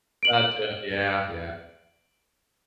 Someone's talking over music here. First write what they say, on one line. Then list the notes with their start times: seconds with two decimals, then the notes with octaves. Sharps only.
That too yeah, yeah.
0.23 D7 F#7